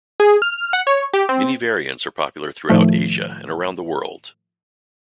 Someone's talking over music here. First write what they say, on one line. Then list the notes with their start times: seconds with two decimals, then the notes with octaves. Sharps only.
Many variants are popular throughout Asia, and around the world.
0.20 G#4
0.42 F6
0.73 F#5
0.87 C#5
1.13 G4
1.29 C4
2.69 A2 D#3 F3 A3